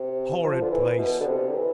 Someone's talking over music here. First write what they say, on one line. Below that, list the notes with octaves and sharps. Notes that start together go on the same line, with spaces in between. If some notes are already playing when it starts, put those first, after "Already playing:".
Horrid place!
Already playing: C3
F3
D3
E3
B2
D3
C3
D3
E3